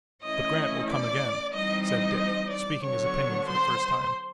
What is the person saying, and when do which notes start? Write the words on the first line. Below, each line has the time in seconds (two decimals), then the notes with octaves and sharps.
"But Grant will come again," said Dick, speaking his opinion for the first time.
0.23 E3 A3 C#4 E4 D#5 D#6
0.88 D5 D6
1.54 E3 G3 C4 D#4 D#5 D#6
1.86 D#5 D#6
2.51 D5 D6
2.84 D3 F#3 B3 D4 C#5 C#6
3.49 C5 C6